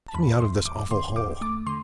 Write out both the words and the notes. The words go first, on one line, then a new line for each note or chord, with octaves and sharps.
"Get me out of this awful hole."
A5
E2 B5
E2 C6
E2 D6
D3 C6
E2 D6
A3 D6
D3 C6